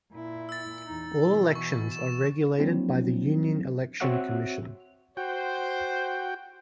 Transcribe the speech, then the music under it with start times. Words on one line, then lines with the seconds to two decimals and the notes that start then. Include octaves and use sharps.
All elections are regulated by the Union Election Commission.
0.13 A#2 E4
0.49 E6 A6
0.86 E2 D#4
1.19 B2 E3
1.55 C#6
1.92 E7
2.58 F3 F#3 A#3 C4 D4 E4
4.00 C4 F#4 C#5 E5 F#5 F#6
5.17 F#4 C5 G5